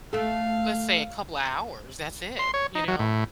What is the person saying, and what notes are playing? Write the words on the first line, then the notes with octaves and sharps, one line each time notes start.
let's say a couple hours, that's it, you know,
A3 A4 F5
C6
C#5
D#4
F#3
A2